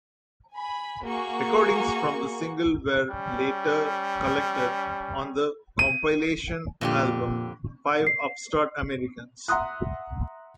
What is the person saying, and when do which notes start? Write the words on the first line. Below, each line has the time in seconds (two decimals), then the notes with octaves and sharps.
Recordings from the single were later collected on the compilation album "Five Upstart Americans".
0.53 G#5 B5
1.02 A#3 F#4 G#4 C#6
3.10 G3 C#4
5.79 D#7
6.81 F2 A#2 D3 G4
8.07 C7
9.48 E5 F#5 A#5 C6 D#6 F#6